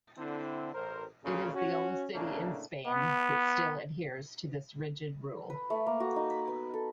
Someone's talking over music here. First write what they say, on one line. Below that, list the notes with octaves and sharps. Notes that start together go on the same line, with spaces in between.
It is the only city in Spain that still adheres to this rigid rule.
D3 C4 E4
A1 A#4 C5
D2 A#2 C#3
C#4 F#4
A2 C#3 A3 A#3 C#4 D4
B3
B4
A3
A#3
F#4
D#4
B5
B3
A4